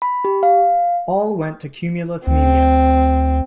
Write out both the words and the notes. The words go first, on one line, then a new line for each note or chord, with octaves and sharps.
All went to Cumulus Media.
B5
G4
F5
D2 C4